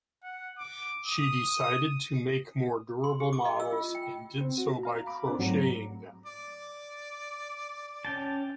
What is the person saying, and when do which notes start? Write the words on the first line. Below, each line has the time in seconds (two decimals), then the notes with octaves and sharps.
She decided to make more durable models, and did so by crocheting them.
0.23 F#5
0.58 D6
1.06 D#6
3.04 C6
3.20 G4
3.33 D6
3.45 D#5
3.60 E6
3.72 F4
3.95 G5
4.41 C4
4.58 F#4
4.83 F5 A#5
5.06 A#5 B5 D6
5.28 C4 D4
5.39 G#2 F#3 A3 C4 F#4 A#5
6.26 D5
8.05 C#4 G5 A5